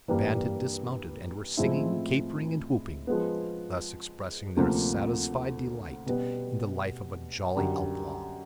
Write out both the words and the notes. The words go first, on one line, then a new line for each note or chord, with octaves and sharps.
The band had dismounted and were singing, capering, and whooping, thus expressing their satisfied delight in the life of a jolly outlaw.
G2 E3 G3 A#3
A2 F3 G#3 C4 E4
F3 G#3 B3
D2 C3 F3 A#3
B2 G3 B3
F#2 D3 G3